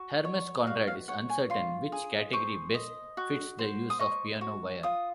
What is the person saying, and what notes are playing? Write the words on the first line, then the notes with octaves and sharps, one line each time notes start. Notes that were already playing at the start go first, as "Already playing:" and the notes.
Hermes Conrad is uncertain which category best fits the use of piano wire.
Already playing: F#4
C#5
F#4 F5
F5
C#5 F#5
G#5
F4 C6
G#4
C5 C#6
D#5
F#4
C5
D#6
D#5 C#6
F#4
F4 D#6